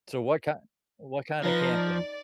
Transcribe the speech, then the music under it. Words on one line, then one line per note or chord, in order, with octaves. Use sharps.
So what kind what kinda camping?
F3 D#4 B4 A#6
D5